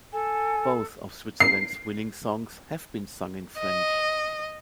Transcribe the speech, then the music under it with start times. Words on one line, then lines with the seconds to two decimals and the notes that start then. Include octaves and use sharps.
Both of Switzerland's winning songs have been sung in French.
0.13 A4 G#5
1.40 C7
3.58 D#5